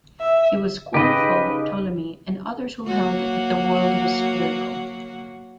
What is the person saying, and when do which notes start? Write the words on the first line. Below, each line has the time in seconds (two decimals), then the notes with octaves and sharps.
He was scornful of Ptolemy and others who held that the world was spherical.
0.20 E5
0.94 C#3 D#4 G4 B4 D#5
2.87 F#3 A#3 F#4